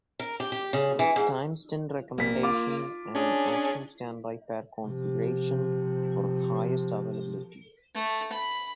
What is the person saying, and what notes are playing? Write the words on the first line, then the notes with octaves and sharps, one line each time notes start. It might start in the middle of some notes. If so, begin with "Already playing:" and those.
TimesTen recommends an active-standby pair configuration for highest availability.
A#4
G4
G4
C#3
E3
G#2
A#1 A#3 B6
F4 D6
C#4 D4 G#4
C3 F3
A3
B5